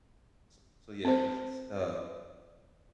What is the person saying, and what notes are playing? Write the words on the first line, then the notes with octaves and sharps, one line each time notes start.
s so yeah 'cause it's, um
C4 C5